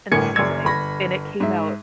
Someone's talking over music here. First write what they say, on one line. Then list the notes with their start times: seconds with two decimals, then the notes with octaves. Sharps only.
and seasonings, and it came out
0.12 G1 A2 A#4 G#5 G#6 C#7
0.36 F#1 F#2 D5 E6 G#6
0.65 G1 B5 A#6
1.40 G#2 E5